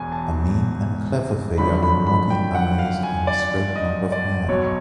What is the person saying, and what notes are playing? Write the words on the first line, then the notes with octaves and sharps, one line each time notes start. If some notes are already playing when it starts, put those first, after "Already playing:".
A mean and clever figure with mocking eyes and straight mop of hair.
Already playing: E1 E2 B2 G#5
A5
G#1 F#2 D3 F3 B5
B5
B5
G5
F#5
F5
G#5
D5
D#5
D5
B1 B2 F#3 C#5